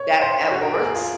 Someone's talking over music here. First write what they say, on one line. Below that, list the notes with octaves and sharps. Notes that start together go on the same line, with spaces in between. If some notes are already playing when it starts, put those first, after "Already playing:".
that that works.
Already playing: C#5
C5
F#4
A#4
G#4
G#4
F4